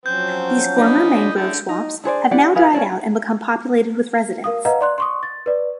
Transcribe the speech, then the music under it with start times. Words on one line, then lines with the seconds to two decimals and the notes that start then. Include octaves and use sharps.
These former mangrove swamps have now dried out and become populated with residents.
0.06 F3 F#3 C4 C#4 G6
0.78 D4 D#5 B5
1.36 D3 C#4 E4 G#4
1.69 D#4
2.04 D4 G#4 C5 D5
2.31 E4 G4 D5 F#5
2.55 G#4 B4 F5
2.73 C#4 D4 D5 A5
4.44 A#4 F5 D#6
4.65 B4 D#5 F5 F#5 A#5
4.81 D5 C6 F#6
4.98 C6 C#6 D#6
5.23 A6
5.46 B4 D5